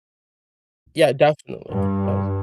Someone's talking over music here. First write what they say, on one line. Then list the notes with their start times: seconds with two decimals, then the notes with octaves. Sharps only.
Yeah, definitely does.
1.71 G2